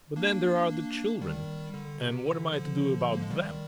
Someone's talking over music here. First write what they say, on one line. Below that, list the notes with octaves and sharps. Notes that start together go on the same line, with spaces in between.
But then there are the children, and what am I to do about them?
A#3 D4
D#3 G3
D3
C3
D3
D3 F3
A#3
G#3
D#3 G3